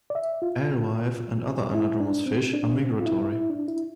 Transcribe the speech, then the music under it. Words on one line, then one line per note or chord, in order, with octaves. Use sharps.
Alewife and other anadromous fish are migratory.
D5
E5
F4
E4
D4
C4
D4
C4
F4
E4
E4
D4
E4